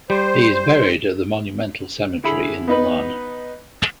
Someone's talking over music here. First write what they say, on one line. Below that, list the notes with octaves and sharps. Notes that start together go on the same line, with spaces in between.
He is buried at the Monumental Cemetery in Milan.
G3 C5
D3 E4 G#4 B5
B3 D#4 B4